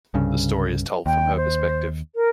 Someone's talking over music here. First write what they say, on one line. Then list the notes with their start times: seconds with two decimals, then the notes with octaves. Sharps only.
The story is told from her perspective.
0.14 C2 G2 C#3
1.06 D#2 G5
1.36 C5
2.15 A#4